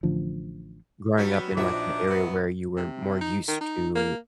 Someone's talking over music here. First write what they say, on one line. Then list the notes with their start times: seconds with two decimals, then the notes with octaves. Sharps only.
growing up in, like, an area where you were more used to
0.03 A1 D3 F3
1.18 F#3 G3 B3 C#4
1.57 A#1 D4 D#4 F#4 E5 D6
2.08 F#3 B3
2.77 C3
3.21 D#4
3.48 D#3
3.61 D#4
3.96 A#3